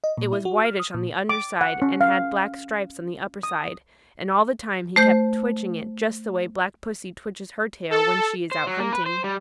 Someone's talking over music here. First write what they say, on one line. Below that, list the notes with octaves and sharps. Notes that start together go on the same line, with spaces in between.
It was whitish on the under side and had black stripes on the upper side, and all the time he kept twitching it just the way Black Pussy twitches her tail when she is out hunting.
D#5
A#2
E4
F#4
F6
D#6
A#2
D6
F#5
C#4
F5
D#6
A3 C5 G6
A4
C5
F#3
A#3
B4
C5
G3